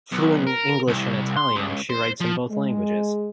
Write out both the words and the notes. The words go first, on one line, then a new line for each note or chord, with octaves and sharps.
Fluent in English and Italian, she writes in both languages.
B1
A#4
C2
C6
C#2
C5
F3
G#3